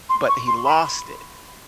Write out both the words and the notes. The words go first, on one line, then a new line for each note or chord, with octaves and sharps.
but he lost it
C6
C#6
C6
B5